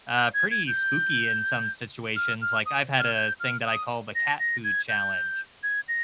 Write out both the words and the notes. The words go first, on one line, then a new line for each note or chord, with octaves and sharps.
uh, pretty spooky in some situations, like, I've had a thing that I call the Cat Food Challenge,
G6
G#6
G#6
G6
F6
F6
D#6
F6
G6
F6
D#6
A#6
A#6
G#6
G6
G#6
A#6